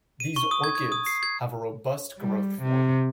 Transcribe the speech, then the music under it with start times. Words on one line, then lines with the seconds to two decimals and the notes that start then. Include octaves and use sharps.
These orchids have a robust growth form.
0.20 D#7
0.36 C#6
0.51 D#6
0.64 G#6
0.75 G#6
0.92 D#6
1.06 C7
1.23 G#6
2.18 G3
2.62 C3